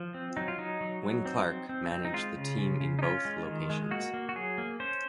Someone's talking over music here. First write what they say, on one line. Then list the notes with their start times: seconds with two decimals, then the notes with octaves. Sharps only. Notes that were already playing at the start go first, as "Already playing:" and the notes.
Win Clark managed the team in both locations.
Already playing: F3
0.14 C4
0.37 F#3 D#4
0.48 F4
0.58 F#3 D#4
0.81 F#3
1.03 F#3
1.26 C4
1.47 C4
1.69 C4
1.92 C4
2.05 D#4
2.14 G#3 F4
2.36 C#3
2.58 C#3
2.80 C#3
2.99 D#4
3.02 C#4 F4
3.25 G#3
3.47 D#3
3.70 G#3
3.91 A#3 F#4
4.14 A#3
4.29 F#4
4.36 F#3 G#4
4.58 A#3
4.80 C#4 C5